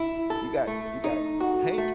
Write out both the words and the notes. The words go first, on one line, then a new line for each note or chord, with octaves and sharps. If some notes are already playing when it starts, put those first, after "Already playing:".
you got you got Hank
Already playing: E4
A4
A3
D#4
F#4
A3